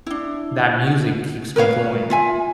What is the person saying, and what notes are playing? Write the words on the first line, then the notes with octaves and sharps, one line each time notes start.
that music keeps me going.
D4 E4
A#4 B4 C#5 F5
F4 E5 G#5